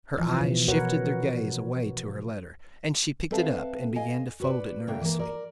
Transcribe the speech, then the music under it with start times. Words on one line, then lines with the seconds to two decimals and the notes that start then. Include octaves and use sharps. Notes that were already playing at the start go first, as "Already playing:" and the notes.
Her eyes shifted their gaze away to her letter, and she picked it up and began to fold it nervously.
0.17 E3 F3
0.41 B2
0.68 F#4 A#4 B4 C#5 F#5
3.31 C4 A4 B4 E5 F5 A5
3.96 D#5 F5 G#5
4.40 F#4 B4 D5
4.87 C#3 A3 A#3 G5
5.01 E3 A#3
5.19 A#4 D5